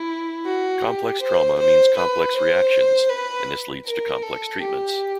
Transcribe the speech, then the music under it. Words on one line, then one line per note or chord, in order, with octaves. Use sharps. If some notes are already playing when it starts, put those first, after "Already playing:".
Complex trauma means complex reactions and this leads to complex treatments.
Already playing: E4
F#4
G4
C5
C5
B4
C5
B4
A#4
A4
G4